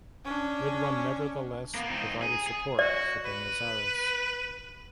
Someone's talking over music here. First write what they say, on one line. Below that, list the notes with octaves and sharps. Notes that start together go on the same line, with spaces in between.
Ridwan nevertheless provided support for the Nizaris.
C#4 D4
A#3 B3
C4 D#4
G#4
G#4
F#4 D5
B4